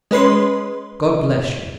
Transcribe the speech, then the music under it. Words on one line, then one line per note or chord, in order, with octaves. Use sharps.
God bless you!
G#3 C#4 B4 C6